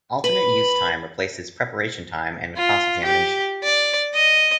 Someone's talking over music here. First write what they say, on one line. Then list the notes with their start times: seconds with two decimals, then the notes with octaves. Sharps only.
Alternate use time replaces preparation time and cross-examination.
0.24 B4 B5
2.56 F4
3.04 G4
3.63 D5
4.14 D#5